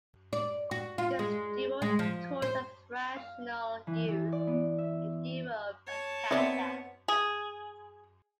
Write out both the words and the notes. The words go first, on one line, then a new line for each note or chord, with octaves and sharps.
This duo toured as Rational Youth in Europe and Canada.
D5
F#4
F4
G#3
G#3
F3
C5
F5
E3
E3
D5
B3
E5
C#5 A5
B3 C4 D#4 C5 D5 E5
G#4